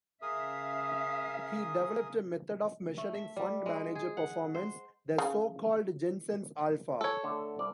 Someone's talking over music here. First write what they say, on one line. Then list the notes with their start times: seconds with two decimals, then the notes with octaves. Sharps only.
He developed a method of measuring fund manager performance, the so-called Jensen's alpha.
0.22 C#3 G#4 A#4 E5 F5 D#6
2.98 A3
3.14 E5
3.36 G3
3.66 G#3
3.95 G#4
4.17 F#5
4.54 C5
5.18 C#3
7.01 A4 C#5
7.23 D3 A3
7.59 C2 D5